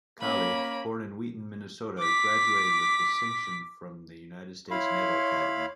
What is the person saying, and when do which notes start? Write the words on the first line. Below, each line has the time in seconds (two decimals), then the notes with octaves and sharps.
Colley, born in Wheaton, Minnesota, graduated with distinction from the United States Naval Academy.
0.21 A#3 C#4 B5
1.99 D6 B6
4.71 E4 C#5 F5 B5 C6